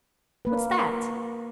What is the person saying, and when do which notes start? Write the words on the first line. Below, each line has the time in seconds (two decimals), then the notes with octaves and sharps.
"What's that?"
0.45 A#3 B4